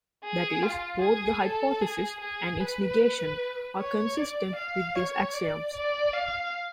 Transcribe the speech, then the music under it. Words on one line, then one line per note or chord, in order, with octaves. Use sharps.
That is, both the hypothesis and its negation are consistent with these axioms.
G#4
F4
G#4
A4
G#4
G#4
B4
C#5
D5
F5
C#5
D5
D5
F5